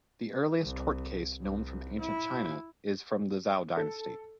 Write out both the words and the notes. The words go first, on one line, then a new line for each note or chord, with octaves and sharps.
The earliest "tort case" known from Ancient China is from the Zhou dynasty.
C2
C2
E4
A4